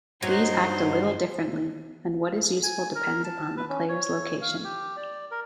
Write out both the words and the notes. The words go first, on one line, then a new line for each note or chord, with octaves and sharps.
These act a little differently, and what is useful depends upon the player's location.
G2 F#3 D#4 C5
G#5
A#4
A5
B4
C#4
C#5
F5
G4
D5
A#4